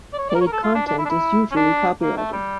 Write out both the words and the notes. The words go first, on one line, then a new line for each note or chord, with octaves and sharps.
Paid content is usually copyrighted.
D5
C#5
D5
A#4
C#5
A#4
A4
F4
D4
D4
E4
D4
E4
C#4
D4
A#3
A3
G3